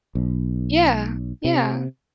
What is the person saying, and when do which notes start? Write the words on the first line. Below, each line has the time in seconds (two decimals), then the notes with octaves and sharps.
Yeah, yeah.
0.15 B1
1.44 C3